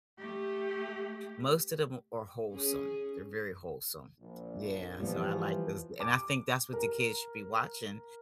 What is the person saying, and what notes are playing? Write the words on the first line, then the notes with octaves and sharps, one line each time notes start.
most of them are wholesome, they're very wholesome, yeah, so I like those, and I think that's what the kids should be watching
A3 G4
C#4 G#4
A#1
E3 F3 G3 B3
D6
A#4